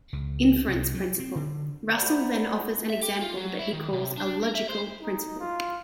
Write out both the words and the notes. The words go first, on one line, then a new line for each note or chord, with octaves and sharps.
Inference principle: Russell then offers an example that he calls a "logical" principle.
C#2
C2
F#3
C4
D3
C5 D5 E5 F#5 A#5 B5
E5
G4
F4
F#3
E4
D#3
C3
D4
A#4
E5
C5
D#4
F4